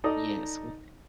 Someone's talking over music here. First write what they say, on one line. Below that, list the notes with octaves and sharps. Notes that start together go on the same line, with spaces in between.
Yes, wi t
D#4 A4 D5 D#5